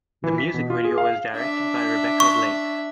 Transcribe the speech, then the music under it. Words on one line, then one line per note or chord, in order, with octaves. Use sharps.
The music video was directed by Rebecca Blake.
E3
B6
B2
F4
G#4
F5
D4 E5
C#6